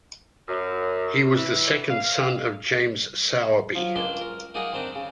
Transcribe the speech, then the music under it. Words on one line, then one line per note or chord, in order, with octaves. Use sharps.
He was the second son of James Sowerby.
F#2
E3
F5
F3 F#3
C#2 A#3 D4 D5 C6
A#4
A#3 D#4 G#4 D5 F#5 A#5
D#3 C4 D4 D#4
C#3